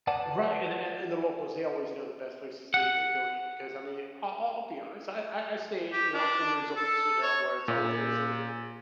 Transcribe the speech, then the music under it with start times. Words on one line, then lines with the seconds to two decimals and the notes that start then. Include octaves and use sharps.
Right. And and and the locals, they always know the best places to e go eat because, I mean, I'll I'll be honest. I I I stay, you know, in resorts, you know, where it's all inclusive.
0.07 B4 D5 F#5 A5
2.74 F#5
5.92 G4
6.13 D4
6.76 A4
7.23 C#5
7.68 A#2